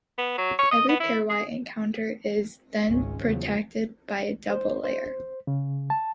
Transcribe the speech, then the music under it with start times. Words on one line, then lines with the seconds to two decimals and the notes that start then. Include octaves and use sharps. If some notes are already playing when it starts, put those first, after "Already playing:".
Every pairwise encounter is then protected by a double layer.
0.18 B3
0.38 F#3
0.59 C#5
0.71 D#5
0.89 B3
1.00 E4
1.29 G#4
2.84 G#1 C#2 G#3 C#4
3.22 E2 C#3 F3 F#3
4.50 C5
4.84 C5
5.47 C#3
5.90 A5